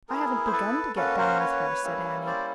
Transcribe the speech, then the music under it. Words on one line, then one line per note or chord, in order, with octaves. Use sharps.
"I haven't begun to get done with her," said Annie.
B3 E4 G#4 A#4
C5
A4 B4
A#3 C#4 F#4 A4 B4
A#4 C5
B4 C#5
G3 A#3 C#4 E4
C5 D5